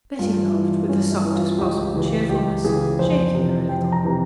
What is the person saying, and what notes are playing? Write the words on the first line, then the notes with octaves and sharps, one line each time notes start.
Betty laughed with the softest possible cheerfulness, shaking her a little.
G2 F4
E3 E4
G2 C#4
E4
E3
F4
C#2 G4
C#3 E3
C#2 G4
C#3 E3 G#4
F2 C5
C3 E3
F2 G5
A#5
C3 E3